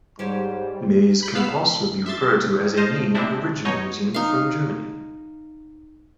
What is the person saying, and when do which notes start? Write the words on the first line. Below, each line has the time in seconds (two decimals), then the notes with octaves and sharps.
Meis can also be referred to as a name originating from Germany.
0.19 G#2 G3 G4 C5 C#5
1.23 B5 G6
1.35 B3 F5 B5 E6 C7
2.06 E5 C6 A6
2.77 C5 D#5 A5 F6
3.15 G#3 C4 D4 E4
3.65 B2 D#4 C#5 D#5
4.14 D#4 F5